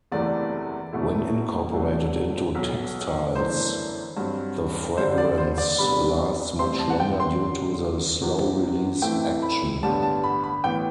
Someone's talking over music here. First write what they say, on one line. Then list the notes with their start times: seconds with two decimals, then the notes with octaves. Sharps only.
When incorporated into textiles the fragrance lasts much longer due to the slow-release action.
0.12 F#1 E2 C3 E3 A3 D5
0.92 F#1 E2 B2 A3 E4
1.73 C2 C3 F#3 A3 D4
2.55 B1 B2 F#3
3.35 G1 F#2 E3 A3 D4 C5
4.17 G2 F#3 C4
4.97 G2 D3 G3 D4 C5
5.18 D5
5.38 C5
5.58 D5
5.78 C2 C3 G3 B3 D4 B5
6.59 A2 G3 C4 C6
6.79 A5
6.90 F#5
7.00 G5
7.20 C6
7.40 F#2 D3 G3
8.21 F#1 E2 C3 E3
9.02 A2 E3 A3 C4 E4 G5
9.42 B5
9.83 A1 G2 D3 G3 B3 A5
10.03 A5
10.23 B5
10.43 B5
10.64 A1 A2 E3 B3 G5